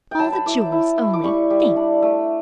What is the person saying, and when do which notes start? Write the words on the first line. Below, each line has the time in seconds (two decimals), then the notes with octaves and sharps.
All the Jewels, only think!
0.11 G5
0.19 F#3 A5
0.32 B5
0.46 E4 D6
0.72 E4
0.97 E4
1.13 D6
1.23 G3 C#6
1.50 G3
1.76 D4
2.02 A3